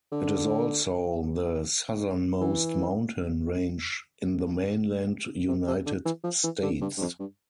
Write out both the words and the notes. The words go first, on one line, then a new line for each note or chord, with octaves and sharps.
It is also the southernmost mountain range in the mainland United States.
D3
E3
C3
C3
D3
E3
F3
E3
D3
G2
G2
F2
G2